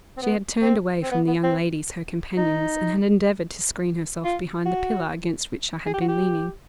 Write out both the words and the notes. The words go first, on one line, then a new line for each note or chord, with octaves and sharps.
She had turned away from the young ladies her companions, and had endeavoured to screen herself behind the pillar against which I had been leaning.
C4
B3
C4
C4
B3
B3
C4
D#4
F4
F#4
G#4
G4
F#4
G4